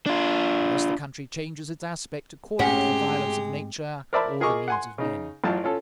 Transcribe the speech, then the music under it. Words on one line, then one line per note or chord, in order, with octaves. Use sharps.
And thus the country changes its aspect according to the violence of nature or the needs of men.
D4 F4
G#2 G#3 A3 C4 C#4 F#4 G4
A#4 C5 D5 E5 A5 B5
F4 G#4 A#4 D#5 C#6 D6
F#5 G#5 C6
C#3 D#4
A1 F#2 F4 A5
C#4 F4 A4